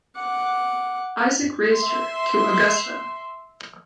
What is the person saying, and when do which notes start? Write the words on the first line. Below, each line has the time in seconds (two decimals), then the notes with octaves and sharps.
Isaac raised her to "Augusta".
0.16 F#5 D6
1.74 E5 C6